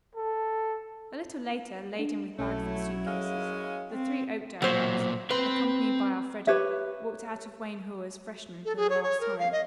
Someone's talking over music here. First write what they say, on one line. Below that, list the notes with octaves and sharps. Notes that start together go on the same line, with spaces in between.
A little later, laden with bags and suit cases, the three Oakdale girls, accompanied by Elfreda, walked out of Wayne Hall as freshmen for the last time.
A4
D4
B1 F#3 A3 C#4 E4
F#2 G#3 C#4 F5
C4
B1 A#2 F#3 C5
C4 B4 C6
G4 B4 C#5 E5
A4
G#4
C#5
C#5
A#4
F5
D#5